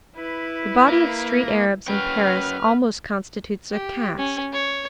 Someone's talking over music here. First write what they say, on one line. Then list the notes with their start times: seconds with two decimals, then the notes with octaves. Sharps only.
The body of street Arabs in Paris almost constitutes a caste.
0.15 E4 B4
0.88 A#3
1.88 F#3 C#4 B4 G5 F6
3.71 G4
4.18 C#4
4.53 C#5